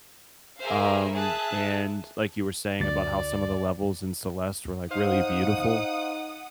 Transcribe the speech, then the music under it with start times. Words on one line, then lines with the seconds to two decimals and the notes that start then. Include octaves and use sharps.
um, and, like, you were saying about how some of the levels in Celeste were, like, really beautiful,
0.61 G#4 A#4 C5 E5 F5
1.13 G#4 E5 A5 F#6
2.80 D2 D5 A6
4.91 D#4 C5 F5 F#5 D#6